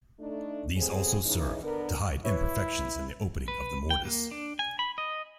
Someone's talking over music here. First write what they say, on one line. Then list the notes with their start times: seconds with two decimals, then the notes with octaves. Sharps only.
These also serve to hide imperfections in the opening of the mortise.
0.19 A3 D4 D#4
0.76 A2 A3 B3 C4 G4 G#4
1.25 C#3 E3 D#4
1.63 D3 B3 D4 A#4
2.25 E4 B4 C#5 E5
3.48 B4
3.90 G5
4.05 A#3
4.31 D4
4.59 G#5
4.79 B5
4.98 D#5